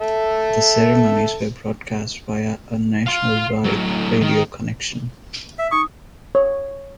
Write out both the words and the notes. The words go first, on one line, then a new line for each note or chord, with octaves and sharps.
The ceremonies were broadcast via a nationwide radio connection.
A4 E5
F5 C6
A2 F#3
D#3
E5
D#4 C#6 D#6
C#5